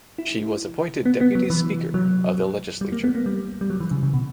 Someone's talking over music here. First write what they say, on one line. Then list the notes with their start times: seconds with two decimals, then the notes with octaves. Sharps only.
She was appointed deputy speaker of the legislature.
0.18 E4
1.05 B3
1.21 B3
1.35 F#3
1.50 E3
1.94 F#3
2.81 G3
2.92 A#3
3.04 B3
3.15 A#3
3.26 G3
3.61 G3
3.70 F#3
3.80 E3
3.91 C#3
4.03 C#3
4.13 B2